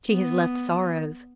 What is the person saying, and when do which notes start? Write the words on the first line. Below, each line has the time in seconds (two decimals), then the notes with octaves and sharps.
She has left sorrows.
0.11 B3